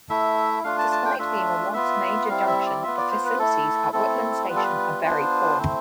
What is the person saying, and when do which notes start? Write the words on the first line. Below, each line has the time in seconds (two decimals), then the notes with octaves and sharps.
Despite being a once-major junction, the facilities at Whitland station are very poor.
0.09 A3 E4 E5
0.64 A3 D4 F4 F5
0.78 A5
0.92 A5
1.05 G5
1.19 A3 D4 F4 E5
1.74 B3 F4 E5
2.29 G3 C4 E4 F5
2.47 E5
2.66 D5
2.84 B3 F4 E5
2.97 D5
3.11 C5
3.25 B4
3.39 A3 E4 A4
3.93 A3 C4 E4 A4
4.48 G3 B3 F4 B4
4.56 A4
4.64 B4
5.04 B3 D4 F4 C5
5.58 A3 C4 E4